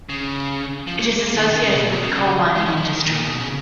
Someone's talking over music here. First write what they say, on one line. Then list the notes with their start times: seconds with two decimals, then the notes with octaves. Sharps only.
It is associated with the coal mining industry.
0.09 C#3
0.87 F3
0.99 A#3
1.19 A#3
1.36 D#3
1.50 C#3
1.62 C#3
1.72 B2
1.82 A#2
1.92 B2
2.03 C#3
2.55 G#3
2.66 F3
2.77 F3
2.93 D#3
3.08 A#2
3.24 B2
3.40 C#3